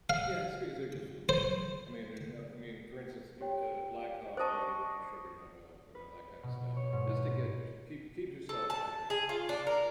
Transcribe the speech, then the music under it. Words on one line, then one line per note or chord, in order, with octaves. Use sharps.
Yes, because they're just fluids, I mean, there's no I mean, for instance, you uh, black coffee, no sugar, no milk, you know, that kinda stuff, just to get your keep keep yourself hydrated,
F5
C5
G4 C#5 G5
C5 D5 D#5 A5 C#6
B4
B2
C#5
G#2
A4
A5
G#4
F4
D4
A#4